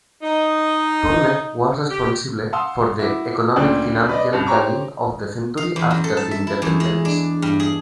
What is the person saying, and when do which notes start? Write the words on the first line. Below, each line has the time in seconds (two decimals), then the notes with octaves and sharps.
Turner was responsible for the economic, financial planning of the country after the independence.
0.22 D#4
1.90 G4
2.53 F5 F#5 A5 C6 D#6 E6
2.99 E4 F#4 D6
3.56 F#1 D2 A#2 D5 G5 F#6
4.09 B4 D5 D#5
4.33 C2 G2 A5
4.47 G4 C5 C#5 A#5 C#6 D6
5.57 F5
5.76 E2
5.91 F#2
6.04 A4
6.17 A5
6.31 E5
6.47 E4
6.62 E2
6.80 G#3
7.05 D4
7.42 G2
7.60 G#4